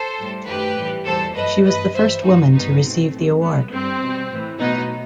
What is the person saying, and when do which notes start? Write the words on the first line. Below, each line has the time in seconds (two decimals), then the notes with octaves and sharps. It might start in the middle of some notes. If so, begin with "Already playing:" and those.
She was the first woman to receive the award.
Already playing: A4 C5
0.17 A2 G3
0.46 F#2 D#3 A3 G4 B4
0.75 A2 E3 G3
1.05 E2 B2 G3 A4 C5
1.34 F#2 F#3 A3 B4 D#5
1.64 G2 E3 A3 B4 D#5
1.93 G2 E3 G3 C5 E5
2.23 G2 F#3 A3 D#4 F#4
2.52 G2 D#3 G3 B3 D#4
2.82 B2 F#3 A3 C4
3.12 A2 F#3 A3
3.40 A2 G3 B3
3.71 G2 E3 G3 C4
4.00 B2 G3
4.30 A2 E3 A3
4.59 B2 F#3 A3 B3 D#4